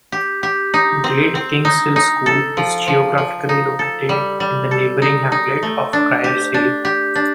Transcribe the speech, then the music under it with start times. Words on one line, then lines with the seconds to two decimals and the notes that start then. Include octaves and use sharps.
Great Kingshill school is geographically located in the neighbouring hamlet of Cryers Hill.
0.12 G4
0.43 G4
0.74 D#4
1.04 C4
1.35 C4
1.65 D#4
1.96 D#4
2.26 A4
2.57 F3
2.88 F3
3.18 F3
3.49 D#4
3.79 A4
4.09 G3
4.40 G3
4.71 A4
5.02 D#4
5.32 D#4
5.63 A3
5.93 D4
6.24 G4
6.54 D4
6.85 G4
7.15 D4